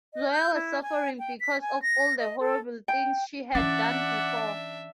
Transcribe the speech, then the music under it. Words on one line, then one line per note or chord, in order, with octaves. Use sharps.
Zoya was suffering because of all the horrible things she had done before.
D#5
G6
E4
G#5
G5
B6
G#5
A#6
D#5
A4
G5
E3 C#4 D4 D5 E5 F#5